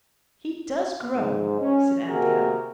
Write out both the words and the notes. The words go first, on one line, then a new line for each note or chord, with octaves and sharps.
'He does grow,' said Anthea.
G#2
C#4
C3 A#3 F#4 G#4 A#4